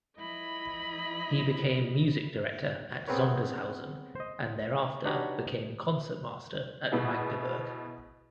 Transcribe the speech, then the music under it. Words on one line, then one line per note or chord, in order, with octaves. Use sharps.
He became music director at Sondershausen, and thereafter became concertmaster at Magdeburg.
F3 E4 D#5 B5
B3 C4 G#4 A#4 B4 C#5
C5 D#5
D4 D#4 F#4 G4 B4 C#5
B2 B3 E4 G#4